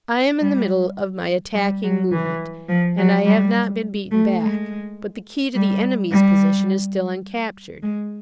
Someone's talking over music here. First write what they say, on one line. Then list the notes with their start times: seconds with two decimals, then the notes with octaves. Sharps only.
I am in the middle of my attacking movement, and I have not been beaten back; but the key to the enemy's position is still uncaptured.
0.41 G3
1.55 G3
1.84 F#3
2.11 E3
2.68 F3
2.98 F#3
3.26 G3
4.11 A3
4.41 G#3
5.55 G3
6.11 G3
7.83 G#3